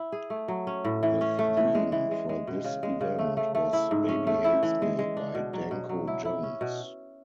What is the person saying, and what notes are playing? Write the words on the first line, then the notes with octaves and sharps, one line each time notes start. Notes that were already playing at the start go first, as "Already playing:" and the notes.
The theme for this event was "Baby Hates Me" by Danko Jones.
Already playing: E4
G#4
A3
F#3
C#4
A2
E3
C#4
A3
E3
G#3
E3
G#3
G#3
B2
C#3
G#3
C#3
A3
A3
A3
E4
G#2
C#4
A3
E4
E3
G#3
G#3
D4
B2
F#3
B2
F#3
E4
E4
C#4
B2